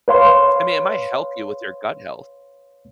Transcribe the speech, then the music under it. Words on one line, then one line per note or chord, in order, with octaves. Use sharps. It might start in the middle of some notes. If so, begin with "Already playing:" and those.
I mean, it might help you with your gut health.
B4 C#5 F5 C6